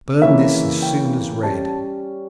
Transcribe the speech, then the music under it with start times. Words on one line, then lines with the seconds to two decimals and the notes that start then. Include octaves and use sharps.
Burn this as soon as read.
0.22 C#3 E3 A#3 C#4 E5
0.82 G5
1.43 G3 C#4 A5